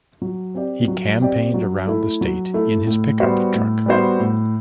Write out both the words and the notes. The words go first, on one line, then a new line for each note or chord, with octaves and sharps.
He campaigned around the state in his pickup truck.
F#3
C4 G4 D5
F#3
C4 G4 D5
F#3
A3 E4
F#3
A3 E4
A2
G3 B3 F#4 C5
A2
G3 B3 F#4 C5
A2